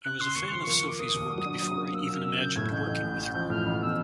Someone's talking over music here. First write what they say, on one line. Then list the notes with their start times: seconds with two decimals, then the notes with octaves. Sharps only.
I was a fan of Sophie's work before I even imagined working with her.
0.04 C#3 F#6
0.20 C#3 C6
0.36 D#2 C#6
0.49 F3 C6
0.62 A#3 C#6
0.83 A#3
0.88 D6
0.99 A#3 D#6
1.15 D#2
1.30 F#3
1.45 D4
1.62 F#3
1.77 A#3
1.93 A#3 E6
2.04 E6
2.09 F#3
2.14 F6
2.24 C#3 E6
2.39 C#3 G6
2.56 A2 G#6
2.71 A1 G6
2.88 A1
3.03 A1
3.19 A1
3.34 F3
3.50 A2 F6
3.66 A1
3.81 B2 E6